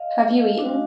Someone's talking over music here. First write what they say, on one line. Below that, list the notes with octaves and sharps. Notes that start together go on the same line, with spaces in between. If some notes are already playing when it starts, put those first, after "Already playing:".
Have you eaten?
Already playing: D#5 F5
A3
D4 F#4